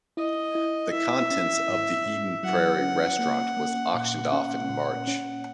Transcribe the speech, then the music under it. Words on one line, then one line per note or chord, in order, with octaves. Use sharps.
The contents of the Eden Prairie restaurant was auctioned off in March.
E4 D#5
E4
E4 E5
C#4
G#2
G#2
F#3 F#5
C#4
A#3
A#3
A#2 F#5
C#4
A#2
C#4